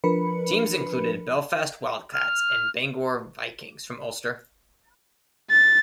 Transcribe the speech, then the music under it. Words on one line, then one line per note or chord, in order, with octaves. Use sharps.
Teams included Belfast Wildcats and Bangor Vikings from Ulster.
F3 D4 A#4 B4 B5 C#7
F6
A6